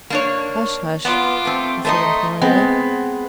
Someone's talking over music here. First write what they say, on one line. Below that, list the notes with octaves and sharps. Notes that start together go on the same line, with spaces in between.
"Hush--hush!" he said imploringly.
A#3 D4 C#5
B3 F4 D6
A3 C4
A3 D#4 C5 D#5 C6
G#3 B3 C4